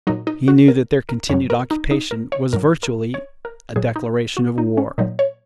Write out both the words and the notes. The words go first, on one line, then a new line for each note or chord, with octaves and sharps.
He knew that their continued occupation was virtually a declaration of war.
A#2 F#3 D#4
D#4
F#4
A#4
A#4
F#2 C#3 F#3 C#5
A#4
D#4
D#4
A#4
C#5
G#2 F#3 A#4
A#4
C#5
A#4
A#2 F#3 G#4
D#4
F#4
D#4
C#4
A#2 F#3 D#4
C#5